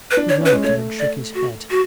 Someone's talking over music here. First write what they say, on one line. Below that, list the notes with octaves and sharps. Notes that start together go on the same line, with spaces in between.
He laughed, and then shook his head.
B4
D4
C#5
C#4 B4
G#3
A3 C#5
D5
F#4
F#4